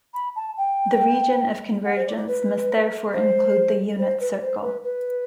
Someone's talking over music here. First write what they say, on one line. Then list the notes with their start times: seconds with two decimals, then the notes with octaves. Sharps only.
The region of convergence must therefore include the unit circle.
0.13 B5
0.36 A5
0.57 G5
1.85 F#5
1.96 C5
2.06 D5
2.16 D5
2.27 B4
3.13 C5
3.98 C5
4.20 B4
4.40 C5
4.62 B4
4.83 B4